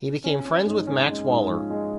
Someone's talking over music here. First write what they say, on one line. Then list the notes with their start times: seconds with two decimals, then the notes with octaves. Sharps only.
He became friends with Max Waller.
0.24 C#4
0.45 C#4
0.66 G#2
0.87 C#4
1.08 G#3
1.29 G#2
1.50 F3
1.70 G#3